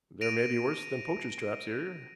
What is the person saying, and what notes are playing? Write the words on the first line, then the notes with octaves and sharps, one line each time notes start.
"There may be worse than poachers' traps here."
A#6 D7 D#7 F7